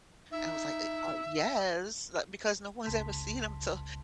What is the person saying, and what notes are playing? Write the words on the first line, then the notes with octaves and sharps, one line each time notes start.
And I was like, "Uh, ah, yes." Like, because no one's ever seen 'em, to
D#4 E5
G1 C#2 C#3 A5 C6 B6